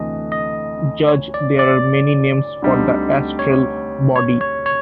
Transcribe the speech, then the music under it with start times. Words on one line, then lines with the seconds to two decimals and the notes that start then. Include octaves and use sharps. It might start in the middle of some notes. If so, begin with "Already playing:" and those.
Judge There are many names for the Astral Body.
Already playing: D2 C3 E3 A3 D#5
0.32 D#5
1.08 C#5
1.34 D5
1.59 D5
2.62 D2 D3 G3 C4 D#4
3.39 C#5
4.16 C#5
4.41 C#5
4.66 C#5